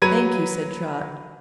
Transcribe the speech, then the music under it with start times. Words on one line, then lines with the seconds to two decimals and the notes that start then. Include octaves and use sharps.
"Thank you," said Trot.
0.02 F#3 B4 A#5 G#6 D#7